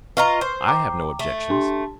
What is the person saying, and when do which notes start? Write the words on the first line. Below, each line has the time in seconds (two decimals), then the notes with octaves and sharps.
"I have no objections."
0.17 F4 B4 D#5 A#5 C#6 F6
0.41 C5
0.66 G5 A#5 D6
1.19 A3
1.50 D4 G4 C6